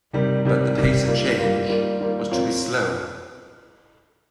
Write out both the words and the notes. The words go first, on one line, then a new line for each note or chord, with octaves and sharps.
But the pace of change was to be slow.
C3 D#3 G3
C3 D#3 G3
C3 D#3 G3
D#3 G3 A#3 F4
D#3 G3 A#3 F4
D#3 G3 A#3 F4
D#3 G3 A#3 F4
F3 C4 F4 A#4 C#5